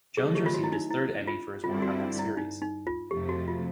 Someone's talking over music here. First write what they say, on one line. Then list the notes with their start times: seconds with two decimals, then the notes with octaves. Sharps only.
Jones received his third Emmy for his work on that series.
0.17 D#3 F#3 A3 G#4
0.35 G4
0.46 F4
0.54 F#4
0.64 E4
0.72 D#4
0.90 E4
1.28 F4
1.64 G2 D3 G3 C4 E4 F4
1.82 F#4
2.19 E4
2.37 D#4
2.62 D#4
2.87 F4
3.11 F2 C3 F3 A3 G4
3.29 F#4
3.48 F4